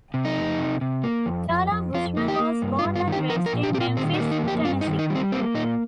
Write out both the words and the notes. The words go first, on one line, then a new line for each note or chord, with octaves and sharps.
Dana Buchman was born and raised in Memphis, Tennessee.
C3
D#4
F2
C3
C3
A#3
F2
F2
F2
F2 F4
A#3
G4
A#3
G2
F4
G2
F4
D#3
G4
F3 A#4
A#4
A#2
G4
A#2 G4
F4
D#3 C4
D#4
A#3
D#4
F2
G4
G2 F4
D#4
D#3
D#4
G3
C4
A#3 C4
A#2 D#4